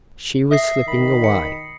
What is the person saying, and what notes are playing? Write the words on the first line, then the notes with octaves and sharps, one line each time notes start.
She was slipping away.
E5 D#6 A#6 C7
D#3 B5
C#7